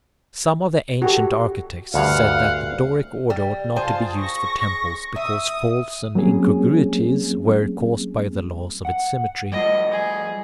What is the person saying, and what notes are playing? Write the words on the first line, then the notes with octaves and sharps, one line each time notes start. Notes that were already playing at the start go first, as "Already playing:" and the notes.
Some of the ancient architects said that the Doric order ought not to be used for temples, because faults and incongruities were caused by the laws of its symmetry.
F#4 G4 A4
D2 G2 F5 F#5
G3
F4 G#4 C5 A5
C#6 A#6
E5 D#6
F#3 G3 A#3 C4 C#4 G#4
F#5
G3 A3 F4 D#5
G#4